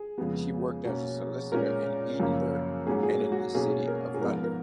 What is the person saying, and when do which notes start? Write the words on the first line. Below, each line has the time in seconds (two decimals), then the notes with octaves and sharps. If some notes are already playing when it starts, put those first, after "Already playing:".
She worked as a solicitor in Edinburgh and the City of London.
Already playing: G#4
0.18 F2 C#3 G#3 B3
0.85 B2 A#3 C#4
1.52 A#2 G#3 C#4 A#4
2.20 F#2 C#3 F3 A#3 C#4
2.87 G#2 F#3 A#3 C#4 G#4
3.03 G#4
3.09 F#4
3.32 F#4
3.54 B2 F#3 A#3 C#4 G#4
3.88 A#4
4.14 G#4
4.21 G#2 F3 B3 A#4
4.44 A#4